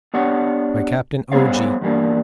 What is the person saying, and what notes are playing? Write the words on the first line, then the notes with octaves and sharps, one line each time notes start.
By Captain O.G.
B3 D4 G4 C#5 F#5
G3 B3 G#4 C5 C#5 F5
E2 G2 G3 A#3 D4